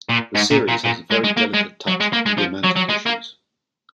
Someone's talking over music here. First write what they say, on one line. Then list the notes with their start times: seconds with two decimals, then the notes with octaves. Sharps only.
The series has a very delicate touch with the romantic issues.
0.09 A#2
0.35 G#2
0.51 A#2
0.69 A#2
0.85 A#2
1.11 G#3
1.24 G#3
1.37 A#3
1.54 G#3
1.87 F#3
2.00 G#3
2.13 A#3
2.26 G#3
2.38 F3
2.64 F#3
2.77 F#3
2.90 G#3
3.06 A#3